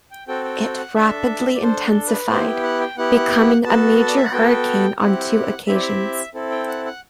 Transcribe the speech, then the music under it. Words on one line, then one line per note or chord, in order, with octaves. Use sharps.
It rapidly intensified, becoming a major hurricane on two occasions.
G5
C4 F#4 A4 G5
G5
G5
F#5
D4 A4 E5
D5
D4 A4 C5
A4
B4
B3 E4 G4 C5
G5
F#5
G5
B3 E4 G4 F#5
B3 F#4 A4 A5
D5
E5
F#5
B3 F#4 A4 G5
C4 E4 G4 F#5
C4 E4 G4 E5
D5
E5
C4 E4 A4
G5
F#5
F#5